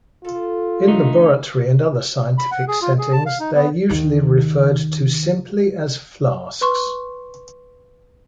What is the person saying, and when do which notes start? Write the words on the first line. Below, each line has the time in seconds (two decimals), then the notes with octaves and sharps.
In laboratory and other scientific settings, they are usually referred to simply as flasks.
0.25 F4 A4
0.87 D3 A3 D#4
2.38 B5
2.51 F#5
2.68 G#4
2.82 F4
2.98 G#4
3.13 A5
3.26 F5
3.40 D#4
3.55 B3
3.89 D#2 D#3
6.61 B4 C6 C#6